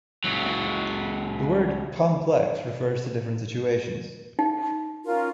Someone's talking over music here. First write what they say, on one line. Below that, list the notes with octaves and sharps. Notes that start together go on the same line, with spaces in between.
The word "complex" refers to different situations.
C#2 F#3
D#4
C#4 F4 A#4